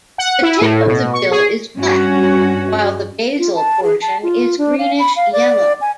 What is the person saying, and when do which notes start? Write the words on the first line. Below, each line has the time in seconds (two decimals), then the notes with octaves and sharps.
The tip of the bill is black while the basal portion is greenish yellow.
0.18 F#5
0.42 E4
0.61 A2
0.87 B2
1.13 C#6
1.31 G#4
1.78 G2 C#4 F#4
3.39 F4
3.55 A5
3.83 G#4
4.02 A5
4.23 F4
4.58 D4
4.79 F5
4.99 B5
5.16 F5
5.33 D5
5.81 G#5